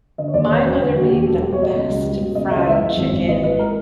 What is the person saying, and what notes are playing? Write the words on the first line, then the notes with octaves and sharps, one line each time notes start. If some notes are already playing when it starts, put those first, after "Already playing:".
my mother made the best fried chicken
D3 D#5
C#5
D#2 D5
E1 C#5
F#3 C5
D3 B4
D#2 F#4
E1 G4
F#3 A4
G3 G4
C#5
B2 D#5
C#2
C#2
G3
B2
C#2 D#5
C#2 E5
D#5
E3 E5
G#2
G#1
G#1
E3 D#5
G#2 B4
A#4